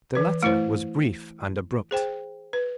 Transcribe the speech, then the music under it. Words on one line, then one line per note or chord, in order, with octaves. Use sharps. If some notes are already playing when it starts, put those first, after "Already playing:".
THE letter was brief and abrupt.
E3 B4
A3 E4 C5
G#4 C5 G5
B4